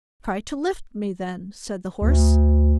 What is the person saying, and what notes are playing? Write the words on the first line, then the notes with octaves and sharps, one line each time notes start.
'Try to lift me, then', said the Horse.
D2